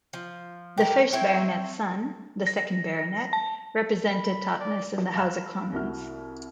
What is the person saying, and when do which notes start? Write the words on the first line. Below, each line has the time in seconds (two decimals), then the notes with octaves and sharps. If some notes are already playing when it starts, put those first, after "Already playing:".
The first Baronet's son, the second Baronet, represented Totnes in the House of Commons.
0.13 F3
0.78 G4 A#4
1.13 C4 E4 C#5 G5
2.47 A#6
3.33 A5
4.08 B5
4.59 D5
5.15 F5 A5 B5 F6 F#6 E7
5.72 C2 E4 F#4 F6